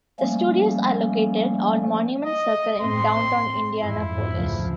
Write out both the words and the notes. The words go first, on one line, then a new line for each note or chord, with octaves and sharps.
The studios are located on Monument Circle in downtown Indianapolis.
F3 G3 A3 A#3 C#4
D#5
A2 C4 C6
F2 G#2 F3 E4
D2 C#3 F3